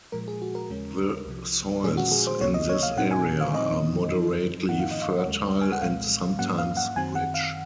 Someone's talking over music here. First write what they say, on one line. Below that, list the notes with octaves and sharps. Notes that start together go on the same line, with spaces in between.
The soils in this area are moderately fertile and sometimes rich.
A#2 F3 G#3 A#4
G#4
F#4
A#4
D#2 C#3 G#3 C#4
C2 C3 F3
A#2 F3 G#3 C#4 G#4
F#4
G#4
C5
C#2 C3 F#3 A#3 C#5
D#5
C#5
F5
A#2 F#3 C4 D#4 F#5
G#5
F5
A#2 F3 C4 D#4 D#5
F#2 F3 C4 D#4
G#2 D#3 A#3 D#4 F#5
F5
D#5
F5
D#2 C#3 G#3 C#4
G#5
F#5
C2 A#2 G#3 C4 F5
G#2 F#3 A#3 C#4 F#5
F5
F#5
F#2 D#3 F#3 C4 G#5
F#5
F5